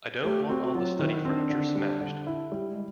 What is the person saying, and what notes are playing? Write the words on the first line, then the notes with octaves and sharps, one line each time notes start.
I don't want all the study furniture smashed.
A3 G4
C4 F#4
F#4
F#3 F4
D#3 E4
C4 D4
D3
G3
D3
E4
G3
G#3